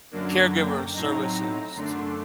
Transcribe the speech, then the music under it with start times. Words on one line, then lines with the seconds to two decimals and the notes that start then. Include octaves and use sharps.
caregiver services to
0.11 F#2 D3 F#3 A#3 D4
0.52 G5
0.93 A2 F#3 C4 D#4 A#5
1.75 F#2 D3 A3 D4 C6